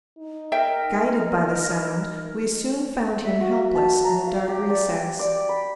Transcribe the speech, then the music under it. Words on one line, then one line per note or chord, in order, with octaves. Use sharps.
Guided by the sound, we soon found him helpless in a dark recess.
D#4
A#4 E5 G5
E5
F#4
A5
A#5
F5
G4
D5
G5
D5
B5